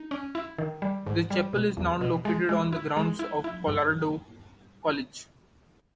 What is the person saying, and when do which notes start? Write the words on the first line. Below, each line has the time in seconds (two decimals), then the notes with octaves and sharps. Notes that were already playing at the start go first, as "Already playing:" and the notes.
The chapel is now located on the grounds of Colorado College.
Already playing: D#4
0.11 C#4
0.35 E4
0.59 D#3
0.82 G3
1.07 G#2
1.30 G3
1.53 B2
1.77 E2
2.01 B2
2.25 G#3
2.49 G#3
2.73 E4
2.97 G#3
3.19 E4
3.44 E4
3.67 G2